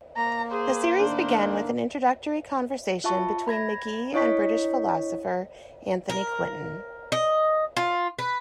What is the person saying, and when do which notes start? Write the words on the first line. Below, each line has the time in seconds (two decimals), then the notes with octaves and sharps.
The series began with an introductory conversation between Magee and British philosopher Anthony Quinton.
0.17 A#3 A#5
0.52 G#4 C5
0.98 A2 D#3 D4
3.04 F4 E5 A5 C#6
3.46 A#5 B5 G#6 A#6
4.13 D4 E4 C#5 D#5 C#6 B6
6.10 A#4
7.12 D#5
7.77 F4
8.19 B4